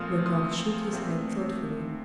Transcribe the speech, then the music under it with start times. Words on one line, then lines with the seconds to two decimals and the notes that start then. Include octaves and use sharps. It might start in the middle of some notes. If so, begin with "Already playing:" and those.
Lecoq shook his head thoughtfully.
Already playing: A#2 F3 A3 C4 C6 D#6 F6
0.26 C6 D#6
0.93 A#2 A3 C4